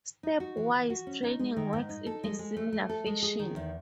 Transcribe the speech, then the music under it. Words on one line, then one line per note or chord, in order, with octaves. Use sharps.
Step-wise training works in a similar fashion.
D#4
F#4
E3
E3
F#4
C#4
D#4
G#3
D#3
G#2
D#4
A4
G#3
G#3
A3
A3
A4
G#3
G#4
D#3
E2